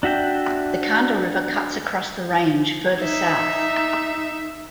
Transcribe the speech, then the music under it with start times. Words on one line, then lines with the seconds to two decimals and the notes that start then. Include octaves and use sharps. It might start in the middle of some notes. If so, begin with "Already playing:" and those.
The Khanda river cuts across the range further south.
0.03 D4 F#4 E5 G5
3.00 D#4 E5